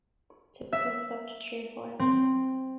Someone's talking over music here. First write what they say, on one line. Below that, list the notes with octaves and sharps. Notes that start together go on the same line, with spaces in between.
The typical clutch is three or four eggs.
E5
C4